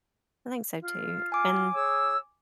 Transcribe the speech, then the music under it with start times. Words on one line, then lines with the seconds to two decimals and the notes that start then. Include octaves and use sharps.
I think so too, and,
0.80 F4
1.32 G#5 D6
1.73 G#4 C#5 E6